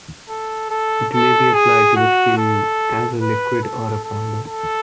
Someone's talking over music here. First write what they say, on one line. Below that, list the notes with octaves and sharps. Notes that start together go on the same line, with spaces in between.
It may be applied to the skin as a liquid or a powder.
A4
A4
A4
G#4
F#4
A4
B4
A4
A4
A4